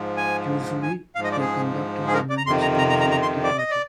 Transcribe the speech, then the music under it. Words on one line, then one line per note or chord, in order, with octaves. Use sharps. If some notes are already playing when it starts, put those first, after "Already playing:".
Usually, they are conducted by members of the minority party.
Already playing: G#2 F3
G#5
G#5
G#2 F3 F5
D#5
D5
G#4
G#4
A#4
D5
A#5
F2 C3 D#3 C6
A#5
A#5
A#5
A#5
A#5
C6
D5
D#5
D5